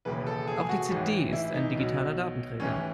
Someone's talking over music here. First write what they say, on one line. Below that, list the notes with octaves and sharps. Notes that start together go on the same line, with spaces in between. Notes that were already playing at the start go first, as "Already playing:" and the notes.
Auch die CD ist ein digitaler Datenträger.
E1 D#2 C#3 E3 B4
A4
G#4
F#4
A1 G#2 E3
E4
D#4
B1 B2
A1 G#2 E3 C#4